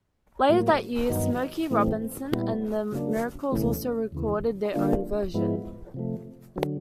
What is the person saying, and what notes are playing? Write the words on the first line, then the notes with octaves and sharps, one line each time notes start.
Later that year, Smokey Robinson and the Miracles also recorded their own version.
A2 F#3 A#3
G2 D#3 F#3 B3 D#4
A2 E3 A3 C4
A#2 G3 B3 E4
C#3 F#3 A#3 D4
D2 C3 E3 A3 C#4
D#2 C#3 E3
D3 G3 A#3 D4 F4
G#2 F3 G#3 B3 E4
C3 F3 A3
D3 F#3